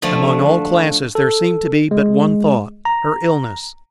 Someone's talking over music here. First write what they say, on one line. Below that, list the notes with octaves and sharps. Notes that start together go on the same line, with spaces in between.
Among all classes there seemed to be but one thought--her illness.
D3 F3 A3
A4
G#3
A#5